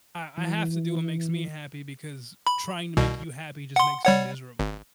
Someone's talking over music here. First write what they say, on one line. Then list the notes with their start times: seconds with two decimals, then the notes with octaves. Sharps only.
I I have to do what makes me happy, because trying to make you happy just makes me miserable.
0.37 E3
2.47 B5
2.97 C2 B2
3.76 F#5 C6
4.05 G3 C#5 F#5
4.60 G#1